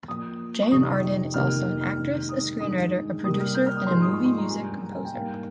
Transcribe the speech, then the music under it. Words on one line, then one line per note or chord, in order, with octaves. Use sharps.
Jann Arden is also an actress, a screenwriter, a producer and movie music composer.
A#2 F3 A#3 D#6
C#6
F2 C3 D#3 D#6
F2 C3 D#3 A#3 F6
F6
C3 D#3 G#3
D#6
G2 D#3 G#3 D#6
C3 G3 A#3 D#6
F6
G6
F6
D#6
G#2 F3 G#3 C6
D#6
C#6
C6
A#5
G2 G3 A#3 G#5
A#5
G#5
G5
G#2 G3 A#3 F5